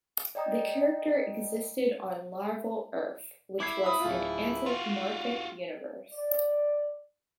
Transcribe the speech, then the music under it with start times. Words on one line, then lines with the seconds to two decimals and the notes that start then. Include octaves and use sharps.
The character existed on Larval Earth, which was an anthropomorphic universe.
0.35 D5 D#5 G5 A#5 D#6
3.60 E4 D6 G#6 C7
3.84 B5 D#6
4.00 D1 F4
4.66 F4 F#4 C6
6.14 D5